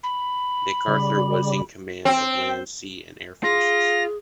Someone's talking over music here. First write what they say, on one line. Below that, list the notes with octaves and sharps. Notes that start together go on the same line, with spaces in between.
MacArthur was in command of land, sea and air forces.
B5
C#3 G3
C4
F4 G#4 A#6